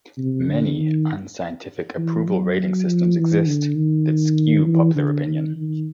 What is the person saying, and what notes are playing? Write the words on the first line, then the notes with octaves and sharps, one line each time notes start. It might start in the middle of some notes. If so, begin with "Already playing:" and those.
Many unscientific approval rating systems exist that skew popular opinion.
C3
D3
D#3
E3
F#3
F3
E3
D3
D#3
E3
D3
D#3
D#3